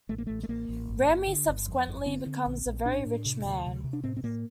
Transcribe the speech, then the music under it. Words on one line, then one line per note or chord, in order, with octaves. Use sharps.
Ramey subsequently becomes a very rich man.
A1 A3
A#3
A1 A3
A3
A1 A#3
A1
G1
G1
D3
G1
F2
G1
D3 C4
D3
A#1
A#1
A2 D4
A2
C3
D2
C3
C3
D4
A2 C4
C4
A2 A#3